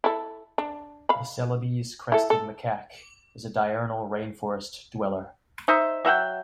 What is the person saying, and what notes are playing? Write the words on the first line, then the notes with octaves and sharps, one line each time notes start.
The Celebes crested macaque is a diurnal rain forest dweller.
E4 A4
D4
F5 B5
E4 A4
A4
D#4 C5 E5
F#3 E5 F#5 G5